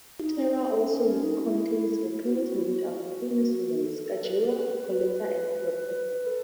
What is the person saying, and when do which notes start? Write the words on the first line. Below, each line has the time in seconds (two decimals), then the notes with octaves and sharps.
Ishtar Terra also contains volcanoes named after famous women: Sacajawea, Colette, and Cleopatra.
0.22 D#4
0.62 B3
0.82 C#4
1.03 C#4
1.23 D#4
1.43 E4
2.23 F#4
2.34 E4
2.45 F#4
2.56 E4
2.63 F#4
3.85 A4
4.04 A4
4.24 B4
4.45 B4
6.27 A4